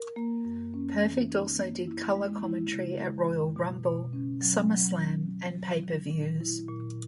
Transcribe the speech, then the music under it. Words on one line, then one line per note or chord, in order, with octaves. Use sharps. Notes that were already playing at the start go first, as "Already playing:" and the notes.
Perfect also did color commentary at Royal Rumble, SummerSlam and pay-per-views.
Already playing: A#4
A#3
F#2
C#4
E3
D#4
A#3
E4
G#3
E4
C#3
G#3
F#2
B2
B2
C#4
F#3
F#3
F#3
D#3
F#3
D#3
A#2
E4
A#2